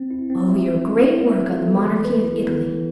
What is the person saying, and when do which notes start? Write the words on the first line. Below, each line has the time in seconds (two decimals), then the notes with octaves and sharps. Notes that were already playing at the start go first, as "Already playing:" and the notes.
"Oh, your great work on the monarchy of Italy!"
Already playing: C4
0.11 E4
0.30 C4
0.50 E5
0.69 A4
0.88 E4
1.08 C4
1.27 E5
1.46 A4
1.66 B3
1.85 E3
2.05 B4
2.24 E4
2.43 B3
2.63 E3